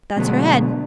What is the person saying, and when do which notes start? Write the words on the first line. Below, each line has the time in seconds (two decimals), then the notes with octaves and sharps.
That's her head.'
0.16 B2 D3 F#3 G#3 A3 B3